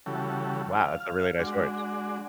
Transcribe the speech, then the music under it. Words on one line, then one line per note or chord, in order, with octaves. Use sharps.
"Wow, that's a really nice horse."
C#3 E3 G3 F#4 A4
F5
G#3 D4 F#4